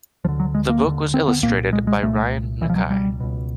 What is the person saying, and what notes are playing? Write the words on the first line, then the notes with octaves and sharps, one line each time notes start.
The book was illustrated by Ryan Nakai.
D2 D3 F3
F#3
G#3
A#3
D#2 D3
C4
B3
C2 A#2 A#3
G#3
G#3
C2 A#2 A3
C#2 B2 E3
F3
F#3
G3
C#2 B2